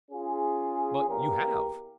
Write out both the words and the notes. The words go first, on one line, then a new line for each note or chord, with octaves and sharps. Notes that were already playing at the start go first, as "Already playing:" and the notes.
"But you have."
C#4 F4 G#4
E2 A#3 G4 A#4